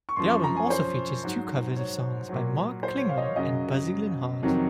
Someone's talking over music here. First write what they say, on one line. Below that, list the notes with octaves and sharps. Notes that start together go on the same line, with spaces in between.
The album also features two covers of songs by Mark Klingman and Buzzy Linhart.
C#6
F#2 F3 C6
C#6
A#5
G#5
C#5
C5
G#2 F#3
C#5
A#2 F#3
C5
C#5
F5
D#5
C#5
F#2 C#3 F#3 D#5
F2 C3 D#3 F#3